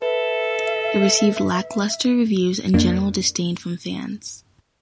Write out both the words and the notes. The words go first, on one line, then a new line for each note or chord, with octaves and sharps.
It received lackluster reviews and general disdain from fans.
A4 B4 E5
F2 A#3 D4